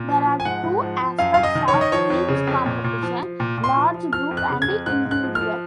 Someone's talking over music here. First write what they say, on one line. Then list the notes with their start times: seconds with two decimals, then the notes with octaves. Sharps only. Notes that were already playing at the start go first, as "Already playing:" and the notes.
There are two aspects of speech competition: large group and individual.
Already playing: A#2
0.09 F3
0.26 F3
0.40 G#5
0.45 G#2 F#5
0.63 G#2
0.82 F3
1.01 F3
1.19 F#2 F5
1.34 F#2 F5
1.43 D#5
1.55 D#3
1.68 C#5
1.74 D#3
1.81 D#5
1.92 F3 C#5
2.10 F2
2.28 C#3
2.47 F2
2.66 A#2
2.84 A#2
3.03 F3
3.21 F3
3.40 A#2
3.58 A#2
3.64 C6
3.77 F3
3.94 F3
4.13 F3 F6
4.31 F2
4.37 F#6
4.50 C#3
4.62 G#6
4.68 F2
4.86 G#2 F#6
5.05 G#2
5.11 F#6
5.23 F3
5.35 F6
5.41 F3